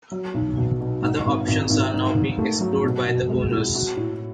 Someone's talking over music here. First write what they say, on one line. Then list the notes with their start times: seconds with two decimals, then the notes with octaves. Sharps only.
Other options are now being explored by the owners.
0.11 F#3
0.34 B1
0.57 B2
0.80 B2
1.02 G#2
1.25 G#1
1.48 G#1
1.70 G#1
1.94 G#2
2.16 G#2
2.39 A3
2.61 F#3
2.84 B2
3.07 B2
3.29 G#3
3.51 E4
3.75 F#4
3.97 A2